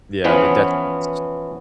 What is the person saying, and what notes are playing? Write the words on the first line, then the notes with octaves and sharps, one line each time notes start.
Yeah, the detriments
E3 F3 B3 C#4 F4